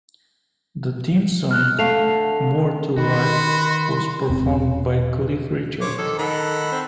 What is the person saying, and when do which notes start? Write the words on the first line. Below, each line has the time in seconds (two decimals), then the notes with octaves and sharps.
The theme song, "More to Life", was performed by Cliff Richard.
1.51 F6 F#6
1.79 D3 A3 F5 C7 F7
2.98 D#3 F#4 B5 C6
4.30 E1 C4
5.81 C5 C#5 D6
5.98 D#3 A4
6.19 D#3 A4 F#5 B5
6.72 C4